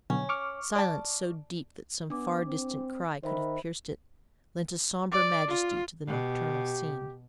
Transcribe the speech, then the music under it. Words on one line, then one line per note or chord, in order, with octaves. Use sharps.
Silence so deep that some far-distant cry could have pierced it, lent a sombre majesty to the nocturnal scene.
B2 D3 F#3 C#4
C#6 D6 F6
D5 A5
B3 D4 D6
C4
D#3 C5 E5 B5
D5
F4
B2 G4